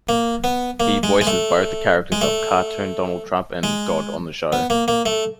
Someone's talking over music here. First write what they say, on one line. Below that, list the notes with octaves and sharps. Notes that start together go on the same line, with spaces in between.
He voices both the characters of "Cartoon Donald Trump" and "God" on the show.
A#3
B3
A#3
G#3
G#3
A3
G#3
A3
G#3
B3
A#3
A#3
A3